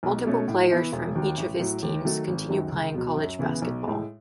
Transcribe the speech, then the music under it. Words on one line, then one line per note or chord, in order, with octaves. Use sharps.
Multiple players from each of his teams continue playing college basketball.
B1
B2 A3 C#4
A2
E3 B3 E4
E1
D#2 D#3 F#3
A1
A2 F#3
D#2
D#3 F#3 A3
G#1
F#2 D#3 F#3
C#2
B2 F#3
F#2
C#3 E3 B3 E4
B1
A2 G#3